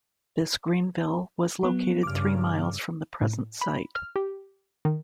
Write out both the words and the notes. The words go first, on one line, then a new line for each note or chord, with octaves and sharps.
This Greenville was located three miles from the present site.
F#3 B3
G2 C#3 D6 F6
A2
B5
F6
G4
D#3